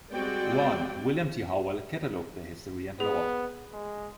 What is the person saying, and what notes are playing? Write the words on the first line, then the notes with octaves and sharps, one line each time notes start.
One, William T. Howell, catalogued their history and lore.
G3 G#3 C4 F#4 D5 G5
B3 G#4
G#3